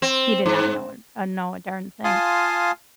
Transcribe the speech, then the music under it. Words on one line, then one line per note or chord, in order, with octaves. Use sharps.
He did not know, uh, know a darn thing.
C4
G#2
F4 F5 G#5 A5 C6 D#6